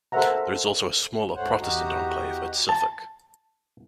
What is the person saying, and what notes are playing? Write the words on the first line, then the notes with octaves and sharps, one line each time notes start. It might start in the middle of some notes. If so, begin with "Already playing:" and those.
There is also a smaller Protestant enclave at Suffolk.
A4 A#4 C5 E5 F#5 A#5
D2 G#2 A3 C5 C#5 F#5
E2 D#4 F#4 G4 A#5
A5